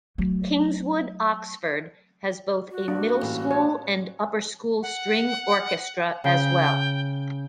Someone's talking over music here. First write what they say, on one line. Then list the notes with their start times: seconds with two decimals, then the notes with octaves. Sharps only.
Kingswood Oxford has both a Middle School and Upper School string orchestra as well.
0.18 F#3 A3
2.71 F#4
2.88 G2 A#3 D4
3.22 A1
3.51 G3 G#3 C#5
4.82 F#5
6.24 C#3 G5